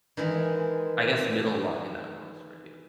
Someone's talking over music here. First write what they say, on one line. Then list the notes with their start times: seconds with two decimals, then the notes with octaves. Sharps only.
I guess, middle line that works for you.
0.17 D#3 E3 G#3